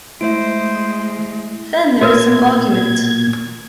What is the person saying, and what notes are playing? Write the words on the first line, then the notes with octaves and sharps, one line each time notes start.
Then there is some argument.
G#3 A3 E4 C5 E5 D7
A#2 F#4 A#4 B4 G#6